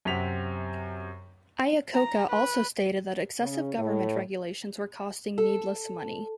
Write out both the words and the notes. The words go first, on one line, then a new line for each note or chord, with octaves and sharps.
Iacocca also stated that excessive government regulations were costing needless money.
F#2 C3 C4 F#5 B6 F7
A#5
B4
C#3
A2
A4